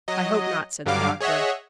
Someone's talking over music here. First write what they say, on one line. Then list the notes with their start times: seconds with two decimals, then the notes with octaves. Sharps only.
"I hope not," said the doctor.
0.08 F#3 D#5
0.86 G2 D3 F#3 G3 F5 D6
1.20 G#4 C#5 D#5 E5 F#5